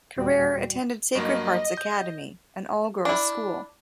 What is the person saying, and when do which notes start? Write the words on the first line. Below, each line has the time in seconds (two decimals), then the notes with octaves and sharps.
Carrere attended Sacred Hearts Academy, an all-girls school.
0.16 D#2 A#2 G3 F#4 D5 G5
1.15 G2 F#3 A#3 D#5
1.77 G6
3.05 D4 E4